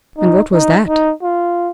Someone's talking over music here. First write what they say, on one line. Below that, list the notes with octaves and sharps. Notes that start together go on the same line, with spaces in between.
"And what was that?"
D#4
D#4
D#4
F4